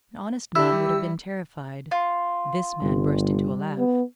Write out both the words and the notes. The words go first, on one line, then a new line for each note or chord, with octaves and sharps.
An honest man would have been terrified; this man burst into a laugh.
D3 D4 E4 G4 E6
G3
F4
G1 G3
B3